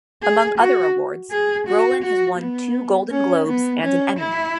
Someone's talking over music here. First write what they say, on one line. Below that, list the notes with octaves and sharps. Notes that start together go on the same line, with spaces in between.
Among other awards, Brolin has won two Golden Globes and an Emmy.
G#4
F#4
G#4
F#4
F#4
B3
C#4
B3
C#4
E4